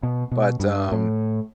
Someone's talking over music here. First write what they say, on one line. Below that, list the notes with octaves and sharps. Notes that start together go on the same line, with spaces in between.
But, um,
B2
B2
G2
A2